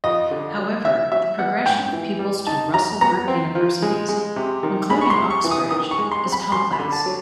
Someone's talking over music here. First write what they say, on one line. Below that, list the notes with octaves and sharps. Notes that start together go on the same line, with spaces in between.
However, the progression of pupils to Russell Group universities, including Oxbridge, is complex.
F2 D#5
D3
F#3
E4 E5
F#3 E5
B3 F#5
G#2 G5
E3
G3
D#4 A5
F#3 A#5
B3 A#5
C4
F3
G#3
G#3
C3
D#3
G#3 B5
C#6
C6
C3
C#6
E3
D#6
D#3 D#6
C#6
G#3
C6
C4
B5
F#2 C6
B5
D3
A5
F#3